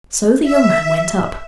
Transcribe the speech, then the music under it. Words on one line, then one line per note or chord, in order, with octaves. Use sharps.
So the young man went up.
E5